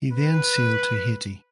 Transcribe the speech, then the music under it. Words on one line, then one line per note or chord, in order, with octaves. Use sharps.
He then sailed to Haiti.
B4